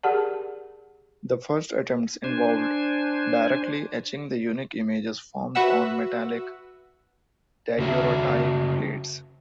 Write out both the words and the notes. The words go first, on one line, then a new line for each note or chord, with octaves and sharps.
The first attempts involved directly etching the unique images formed on metallic Daguerreotype plates.
G4 G#4 A#4 D5 F#5 A5
D4 C5 G#5
F#4 B4 E5 F#5 E6
C#3 F#4 E5